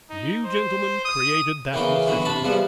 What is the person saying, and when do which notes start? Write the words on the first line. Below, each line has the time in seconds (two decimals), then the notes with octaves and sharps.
You, gentlemen, created that necessity!
0.10 D#4
0.45 C5
1.05 D#6
1.73 C#3 E3 A#3 B3 G5
2.07 D3 E3 F#3 B3
2.25 C3 A5 B5
2.43 E2 F3 G3 B3